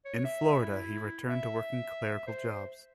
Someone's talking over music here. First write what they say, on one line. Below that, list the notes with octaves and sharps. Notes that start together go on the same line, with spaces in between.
In Florida he returned to working clerical jobs.
C#5
E5
E4
E5
C5